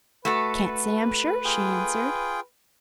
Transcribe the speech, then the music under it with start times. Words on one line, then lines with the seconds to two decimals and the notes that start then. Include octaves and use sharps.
"Can't say, I'm sure," she answered.
0.25 A3 F#4 A4 B4
1.45 F4 G#4 G5